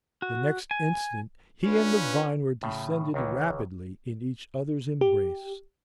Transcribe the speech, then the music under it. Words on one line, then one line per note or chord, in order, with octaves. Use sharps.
The next instant he and the vine were descending rapidly in each other's embrace.
F#4
G#5
C#4 D4 F4 B4
A2 C#3
C#2 D#3 E3
G4